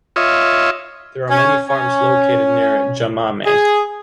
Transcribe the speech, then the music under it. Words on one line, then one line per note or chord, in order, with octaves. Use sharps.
There are many farms located near Jamame.
F4 C#5 D#5 E5
C#4
C#4
G#4